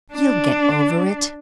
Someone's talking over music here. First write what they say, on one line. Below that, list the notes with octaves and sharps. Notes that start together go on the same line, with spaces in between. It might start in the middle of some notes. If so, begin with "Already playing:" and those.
You'll get over it.
D4